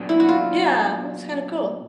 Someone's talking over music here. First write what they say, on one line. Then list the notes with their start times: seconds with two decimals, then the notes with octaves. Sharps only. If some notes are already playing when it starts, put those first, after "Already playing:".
Yeah, that's kind of cool.
Already playing: A#2 F#3 B3 D4
0.09 E4
0.20 F#4
0.29 F4